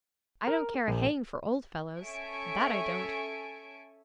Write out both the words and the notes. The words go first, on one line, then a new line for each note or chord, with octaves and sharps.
"I don't care a hang for old fellows, that I don't!"
A#4
A#1
C#4 A4 E5 G#5 C#6 D7